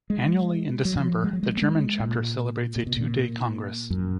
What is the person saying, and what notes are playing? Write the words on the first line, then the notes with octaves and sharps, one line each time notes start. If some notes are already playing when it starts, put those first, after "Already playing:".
Annually in December the German chapter celebrates a two-day congress.
G#3
F#3
F3
G#3
F#3
G#3
A#3
G#3
A#2
A#2
B2
A#2
F#2